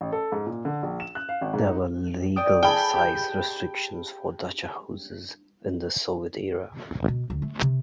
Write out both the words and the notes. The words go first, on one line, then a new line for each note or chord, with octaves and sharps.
There were legal size restrictions for dacha houses in the Soviet era.
A1
A4
G#2
A#2
D3
A#1
E7
F#6
F5
G#1
G#2
D#4
D5 G5 D#6
G#4 A4 G5 B5
G4 G6
B2
D2
A3
C3